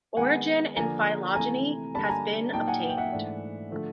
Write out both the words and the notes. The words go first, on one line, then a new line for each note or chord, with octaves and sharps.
Origin and phylogeny has been obtained.
D#3 G#3 B3 F#5 G#5
D3 F3 A#3 D4 G#5 A#5
C3 E3 A3 G#5 A#5
D3 G3 A#3 D4 A5 B5
G#5 A#5
A#2 F#3 A#3 D#4 G5 A5
F#5 G#5
F#5
G5
E5 F#5
G#2 E3 A3 D4
D3 F3 A3 D4